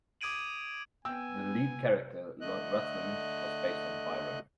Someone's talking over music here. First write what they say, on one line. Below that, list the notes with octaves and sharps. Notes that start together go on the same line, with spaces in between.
The lead character, Lord Ruthven, was based on Byron.
D6 D#6 G#6 D7 D#7 F#7
B3 G5 G#5 E6
D3 A3 D#5 F#6